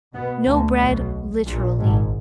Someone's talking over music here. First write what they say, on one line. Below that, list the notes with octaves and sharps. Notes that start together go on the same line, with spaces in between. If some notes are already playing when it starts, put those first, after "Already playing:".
No bread literally.
B2 B3
D2 D3
B1 B2
A#1 A#2
G#1 G#2